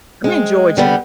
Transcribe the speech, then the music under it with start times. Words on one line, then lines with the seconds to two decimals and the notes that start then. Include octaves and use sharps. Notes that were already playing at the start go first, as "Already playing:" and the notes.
I'm in Georgia.
0.24 G#3 C4
0.77 D3 G3 B3